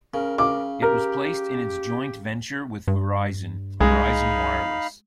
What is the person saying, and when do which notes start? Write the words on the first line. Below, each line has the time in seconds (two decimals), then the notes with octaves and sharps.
It was placed in its joint venture with Verizon, Verizon Wireless.
0.14 C#3 A#4
0.38 C#3 D6
0.82 G4 A#4
2.88 G2
3.80 C2 G#3 D#4 F5 B5